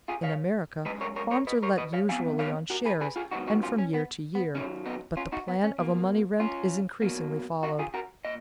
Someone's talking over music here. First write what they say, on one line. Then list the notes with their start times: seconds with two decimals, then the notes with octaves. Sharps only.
In America farms are let usually on shares, and from year to year, but the plan of a money rent is increasingly followed.
0.08 F4 G#4
0.23 C#5 F5
0.85 F#2 F3 G#3 B4 D#5
1.01 A#4 C#5
1.16 A#4 C#5
1.31 A#4 C#5
1.47 B4 D#5
1.63 A#4 C#5
1.78 B4 D#5
1.93 C#5 F5
2.09 F2 F3 B3 F5 G#5
2.39 C#5 F5
2.70 F#4 A#4
2.85 G#4 B4
3.01 G#4 B4
3.16 F4 G#4
3.31 G#2 D#3 F#3 B3 D#4 F#4
3.47 D#4 F#4
3.63 C#4 F4
3.78 C#4
3.94 B3
4.35 B3
4.55 F#2 D#3 F#3 C#4
4.86 B3 D#4
5.17 C#4 F4
5.32 D#4 F#4
5.48 B3
5.64 C#4
5.78 B2 A#3
6.40 C#4 F4
7.02 B2 F#3 A#3
7.63 D#4 F#4
7.79 F4 G#4
7.94 F#4 A#4
8.25 A#2 D#5